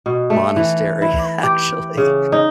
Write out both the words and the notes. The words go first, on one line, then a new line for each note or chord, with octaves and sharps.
monastery, actually.
B2
A3
E3
E4
G4
C#3
D#4